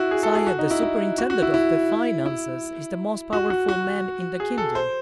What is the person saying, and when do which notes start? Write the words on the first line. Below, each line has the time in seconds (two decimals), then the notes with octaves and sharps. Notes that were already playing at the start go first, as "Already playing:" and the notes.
"Sire, the superintendent of the finances is the most powerful man in the kingdom."
Already playing: E4 F#4
0.11 G#4
0.23 A4
0.35 G#4
0.47 F#4
0.59 D#4
0.71 E4
0.82 E4
1.18 F#4
1.30 F#4
1.42 E4
1.54 E4
2.26 E4
3.33 F#4
3.50 F#4
3.69 F#4
4.40 G#4
4.58 A4
4.75 C5